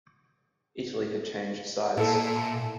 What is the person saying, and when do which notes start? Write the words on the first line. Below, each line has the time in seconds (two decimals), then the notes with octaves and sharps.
Italy had changed sides.
1.97 A#2 E4 A4 E5 A5